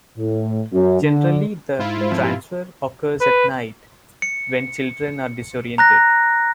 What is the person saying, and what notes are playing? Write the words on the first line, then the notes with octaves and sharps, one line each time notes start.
Generally the "transfer" occurs at night, when children are disoriented.
A2
F#2
D3
G#2 E4 F4
G#3 C5
F2
G4
B4
C#7
A#5 F#6 A#6